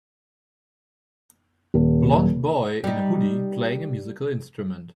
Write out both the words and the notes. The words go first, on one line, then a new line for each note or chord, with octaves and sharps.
Blond boy in a hoodie playing a musical instrument.
D#1
G3 D#4